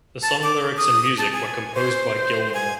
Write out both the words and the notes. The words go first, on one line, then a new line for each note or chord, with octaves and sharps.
The song lyrics and music were composed by Gilmour.
A5
D6
D#6
A5
G#5
C5
G#5